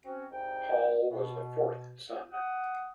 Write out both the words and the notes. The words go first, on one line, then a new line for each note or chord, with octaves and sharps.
Hall was the fourth son.
C4 C#4 F#4
C2 G#2 D#4 G5
B2
F#5 D#6